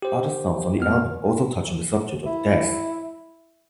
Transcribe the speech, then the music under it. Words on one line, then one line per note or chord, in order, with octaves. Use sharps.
Other songs on the album also touch on the subject of death.
G4 C5
F2 B3 F6
E4